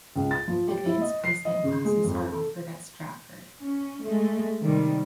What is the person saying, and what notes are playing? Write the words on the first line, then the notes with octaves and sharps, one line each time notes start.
Advanced Placement classes are offered at Stratford.
C#2
A6
F3
G4
E4
D#5
C7
D#5
C#3
G#3
F2
A4
C#4
G#3 A3
C3 D#3 G3